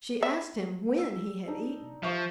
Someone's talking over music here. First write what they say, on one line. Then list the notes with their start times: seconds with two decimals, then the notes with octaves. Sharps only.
She asked him when he had eaten.
0.23 E5
0.98 E6
1.48 D4 D#4
2.03 F3 E5 F5 C#6